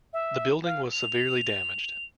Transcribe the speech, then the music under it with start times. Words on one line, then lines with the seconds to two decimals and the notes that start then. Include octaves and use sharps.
The building was severely damaged.
0.13 E5
0.66 F5
0.92 F7